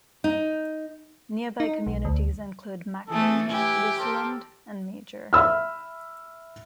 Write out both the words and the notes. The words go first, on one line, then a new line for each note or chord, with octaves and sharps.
Nearby communities include Macklin, Luseland and Major.
D#4
D#4
B1
D2
E3 A3 G#4 A4
G4 B4 E5 G#5
A4 A#4 C5
E5 B5 E6 F6